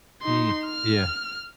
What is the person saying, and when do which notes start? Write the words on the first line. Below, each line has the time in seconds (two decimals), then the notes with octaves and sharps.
Mm, yeah.
0.22 D#4 C6
0.65 F6